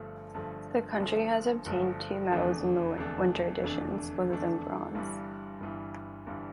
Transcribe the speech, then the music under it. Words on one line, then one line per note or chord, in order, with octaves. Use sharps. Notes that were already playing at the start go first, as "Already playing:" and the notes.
The country has obtained two medals in the winter editions, both of them bronze.
Already playing: G1 G2 D3 F3 A3
G1 G2 D3 F3 A3
G1 G2 D3 F3 A3
G1 G2 D3 F3 A3
F1 E2 D3 A3 D4
F1 E2 D3 A3 D4
F1 E2 D3 A3 D4
F1 E2 D3 A3 D4
G1 G2 E3 G3
G1 G2 E3 G3
G1 G2 E3 G3